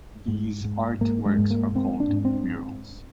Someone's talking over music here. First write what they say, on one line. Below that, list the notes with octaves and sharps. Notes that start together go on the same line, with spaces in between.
These art works are called "murals".
G#2
G#2
G#2 A#3
G#3
G#2
A#3
G#2 C4
D4
G#2
C4